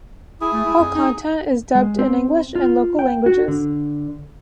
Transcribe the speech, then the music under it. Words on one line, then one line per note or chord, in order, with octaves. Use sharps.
All content is dubbed in English and local languages.
E4 G#4
A3
E4
F2
D#4
G#3
C4
F4
G5
F#4
D3